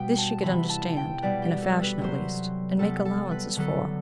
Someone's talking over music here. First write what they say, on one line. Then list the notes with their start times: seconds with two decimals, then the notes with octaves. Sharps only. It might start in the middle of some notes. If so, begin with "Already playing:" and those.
This she could understand, in a fashion at least, and make allowances for.
Already playing: B2 G3 B3 G5
0.18 A5
0.43 C3 E3 B3 B5
0.69 A5
0.97 G5
1.22 B2 G3 B3 D5
1.42 G4
1.62 A4
1.82 B4
1.99 C3 F#3 B3 C5
2.79 C3 G3 B3 A4
3.05 A4
3.31 B4
3.57 D3 F#3 B3 A4